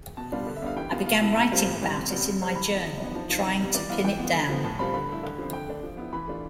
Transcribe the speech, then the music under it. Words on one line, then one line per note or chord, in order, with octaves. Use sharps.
I began writing about it in my journal, trying to pin it down.
B2 A5
G3 B3 D4 F4
D3
E5
G3 B3 D4 F5
E3 G5
B3 F4
B2 F5
B3 E4 A5
C3 A5
G3 C4 F4
A2
E3 G3
C3
G3 B3
C3
G3 C4
E3 B5
B3 E4
F3
B3 D4
F3 A5
C4 F4
C3
G3 B3
E3 D5
B3 E4 F5
E3 G5
B3 F4
D3
F3 B3
A2 A5
G3 C4 F4 B5
D3 B5
A3 E4
D3
F3 C4
D3 G5
A3 D4
F3
B3 E4
E3 B5
A3 D4 F4